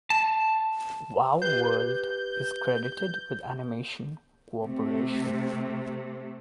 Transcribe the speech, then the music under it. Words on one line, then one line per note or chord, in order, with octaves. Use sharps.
Wao World is credited with animation cooperation.
A5
G4 B4 G6
C3 A3